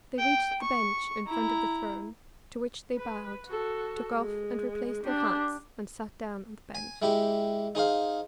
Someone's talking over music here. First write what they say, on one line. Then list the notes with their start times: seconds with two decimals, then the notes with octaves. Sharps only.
They reached the bench in front of the throne, to which they bowed, took off and replaced their hats, and sat down on the bench.
0.19 G5
0.62 C#6
1.27 E4 A#5
2.97 B4
3.47 F#4 A4
4.14 G#3
5.04 D4 G4
6.75 G#5
7.02 G#3 E4 G4
7.75 D#4 G#4 C5 F5